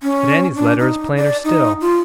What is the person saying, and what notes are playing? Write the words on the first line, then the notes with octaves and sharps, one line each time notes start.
But Annie's letter is plainer still.
C#4
D4
D#4
D5
D#4
F4